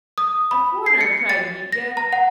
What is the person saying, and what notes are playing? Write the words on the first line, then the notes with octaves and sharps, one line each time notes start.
"A corner!" cried Mitya.
D#6
B5
C7
C#7
A6
A#6
A#5
F#5